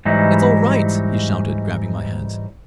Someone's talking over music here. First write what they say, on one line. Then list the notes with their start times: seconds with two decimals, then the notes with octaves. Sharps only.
"It's all right!" he shouted, grabbing my hands.
0.05 G#2 E3 F#3 G3 D#4 E4